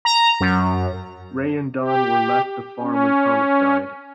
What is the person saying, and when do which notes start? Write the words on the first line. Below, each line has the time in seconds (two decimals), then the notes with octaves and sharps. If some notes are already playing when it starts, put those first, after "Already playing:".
Ray and Don were left the farm when Thomas died.
0.05 A#5
0.41 F#2
1.79 G4
2.81 C#4